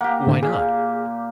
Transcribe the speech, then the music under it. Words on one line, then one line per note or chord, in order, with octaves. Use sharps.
"Why not?"
A#3 G4 F#5
A2 D3
A#2 G#4